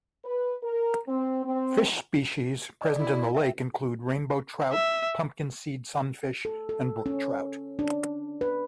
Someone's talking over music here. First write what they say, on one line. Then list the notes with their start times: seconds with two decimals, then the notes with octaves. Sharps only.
Fish species present in the lake include rainbow trout, pumpkinseed sunfish, and brook trout.
0.25 B4
0.64 A#4
1.08 C4
1.45 C4
2.81 D5 D#5
2.98 E4
3.35 E5 G5
4.73 E5
6.45 A4
6.69 A4
7.06 C#4
7.79 D4
8.41 B4